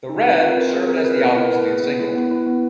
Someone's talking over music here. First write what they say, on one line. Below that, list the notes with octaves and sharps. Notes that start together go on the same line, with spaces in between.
"The Red" served as the album's lead single.
D#4
C4 B4
F4
A#4
C4
G#4
C4 A#4
F4 B4
B3 A#4
E4
B4
B3
G#4
B3
E4
B3
E4
B3